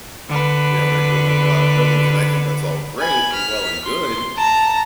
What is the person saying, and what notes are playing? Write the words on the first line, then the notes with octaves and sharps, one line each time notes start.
you know, they're building a lotta buildings, and I think that's all great and well and good.
D3 B4
G#5 B5
F6 B6
C6
A5 A#5